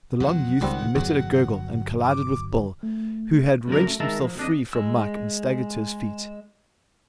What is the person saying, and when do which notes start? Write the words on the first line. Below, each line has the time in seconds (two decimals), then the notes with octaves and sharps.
The long youth emitted a gurgle, and collided with Bill, who had wrenched himself free from Mike and staggered to his feet.
0.20 F2 B2 F#3 F#5
0.61 C#2 D#3 G3 C4
0.95 G1 E2 F#3
2.03 D6
2.83 A3
3.68 C#2 F#2 D3 A#4
3.86 A3
4.00 D#3 G#3 E5 A5 A#5
4.21 F3
4.37 F2 D4 D#5
4.73 G#3 E6